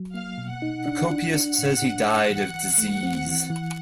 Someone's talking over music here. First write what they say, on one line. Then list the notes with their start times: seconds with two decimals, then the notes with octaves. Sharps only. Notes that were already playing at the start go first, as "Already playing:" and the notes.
Procopius says he died of disease.
Already playing: F#3
0.14 A#3 F5
0.38 B2
0.50 F#5
0.62 D#4
0.86 D4
1.10 D4
1.34 D4
1.58 A2 F#5
1.82 D4
2.06 A2
2.30 E3
2.55 E3
2.78 A3
3.03 C4
3.27 E3
3.50 E3